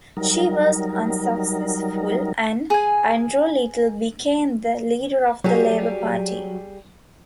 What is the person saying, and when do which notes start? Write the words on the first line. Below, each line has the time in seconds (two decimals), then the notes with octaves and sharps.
She was unsuccessful, and Andrew Little became the leader of the Labour Party.
0.17 F#3 G3 D#4 A#4
2.70 G#4 G#5
5.44 F#3 G3 G4 G#4